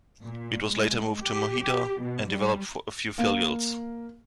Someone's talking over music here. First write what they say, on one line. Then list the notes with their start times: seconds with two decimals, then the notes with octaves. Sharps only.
It was later moved to Moheda and developed a few filials.
0.23 A#2
0.70 G#3
1.23 G4
1.61 G4
2.01 B2
2.31 G3
3.18 A#3 F5